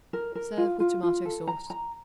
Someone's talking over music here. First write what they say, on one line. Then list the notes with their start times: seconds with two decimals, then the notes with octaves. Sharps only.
Serve with tomato-sauce.
0.13 A#4
0.35 A#4
0.58 F4
0.80 F4
1.03 F4
1.25 A4
1.48 A#5
1.70 A#5